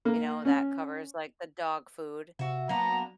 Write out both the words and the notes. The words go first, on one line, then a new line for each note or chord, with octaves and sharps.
You know, that covers, like, the dog food.
A#3
C#4
C3 F#4 E5
F#3 A#3 B3 D4 A#5